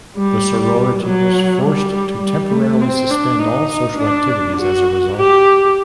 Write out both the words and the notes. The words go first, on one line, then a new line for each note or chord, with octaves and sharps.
The sorority was forced to temporarily suspend all social activities as a result.
G3
F#3
G3
G3
A3
C4
D4
D#4
D4
F#4
G4